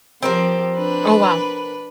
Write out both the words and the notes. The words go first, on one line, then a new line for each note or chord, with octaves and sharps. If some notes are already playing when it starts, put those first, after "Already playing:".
Oh, wow.
F3 C4 G4 A#4 C5
D4 B4